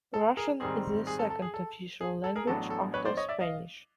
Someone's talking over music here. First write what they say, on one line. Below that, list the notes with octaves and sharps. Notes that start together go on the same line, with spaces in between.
Russian is the second official language after Spanish.
A4
G#4 A#4
G#2 D#3 G3 C4 G#4
G#4
A4
A4
G#4
A4
G#4
A4
G#4 A#4
A1 A2 F#3 B3 D4 A4
A4
B4 C#5
C5 D5
C#5 D#5
D5 E5
D#5 F5